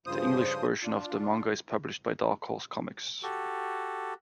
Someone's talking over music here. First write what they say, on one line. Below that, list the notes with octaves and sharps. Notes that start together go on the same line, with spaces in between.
The English version of the manga is published by Dark Horse Comics.
G2 C#3 F3 C5 D#6
D4 F4
F#4 G4 A4